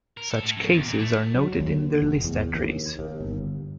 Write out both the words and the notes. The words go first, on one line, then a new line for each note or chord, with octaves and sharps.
Such cases are noted in their list entries.
A#4
A4
A2
F#2
E2
A#2
A3
F#3
D#2
F1
E2
D#2
D#2
G1